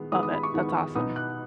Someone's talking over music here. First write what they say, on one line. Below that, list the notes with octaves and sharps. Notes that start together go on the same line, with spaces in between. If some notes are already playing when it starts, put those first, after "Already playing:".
Love it. That's awesome.
Already playing: D#3 G#3 B3
D#3 G#3 B3 D#6
D#6
B5
C#6
D#3 G#3 B3
B2 B3 D#4 D#6
F#6